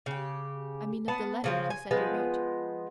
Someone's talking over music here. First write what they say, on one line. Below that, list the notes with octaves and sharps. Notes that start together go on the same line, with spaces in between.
"I mean of the letter he said you wrote."
C#3 G4
B3 F#5 A5
C#3 F3 C4
G#5
F3 G#3 B3